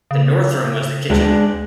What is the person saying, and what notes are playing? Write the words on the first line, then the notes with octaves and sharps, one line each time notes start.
The North room was the kitchen.
C#3
D2 G#3 D4